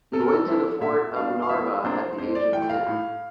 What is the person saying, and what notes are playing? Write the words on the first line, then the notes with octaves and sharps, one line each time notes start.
He went to the fort of Narva at the age of ten.
C3 A4
A#4
A4
F3 C4 E4
A#2 E5
G3 D4 F5
F5
E2 E5
C3 F3 A#3 D4 C5
F2 C5
D5
E3 A3 G5
F5
A2